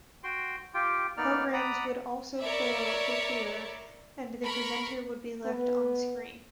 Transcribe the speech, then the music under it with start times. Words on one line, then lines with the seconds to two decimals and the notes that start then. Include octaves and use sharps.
Programmes would also fail to appear and the presenter would be left on screen.
0.24 F#4 G5 C6
0.74 F4 G4 G5
1.17 A#3 B3 D#4 D5 F6
1.53 D5 F#5 A#5 B5 D#6
2.40 A#4 C#5 D5 E5 B5
4.44 A#4 B5 C#6
5.45 B3